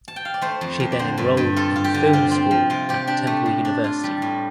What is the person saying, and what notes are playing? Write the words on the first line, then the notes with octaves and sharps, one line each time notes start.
She then enrolled in film school at Temple University.
A5
G5
F5
D5
A3 C5
F2
F2
D5
D3 C5
G2
G2
F4 A4
F4
G4
D3
C4 F4
C4
F3
C3 F4
C3 G4
D4 G4
A3
A2
D4
F4
G3
A2